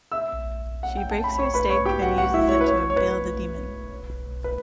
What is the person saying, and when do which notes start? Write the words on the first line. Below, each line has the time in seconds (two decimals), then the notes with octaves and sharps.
She breaks her stake and uses it to impale the demon.
0.12 E5 E6
0.83 F#5
0.97 G5
1.11 A5
1.24 B5
1.38 C#5 C#6
1.54 B4 B5
1.69 C#5 C#6
1.85 G4 G5
2.02 F#4 F#5
2.17 F#4 F#5
2.34 E4 E5
2.48 C#5
2.61 B4
2.64 C#5
2.90 C#5
2.96 B4
4.44 B4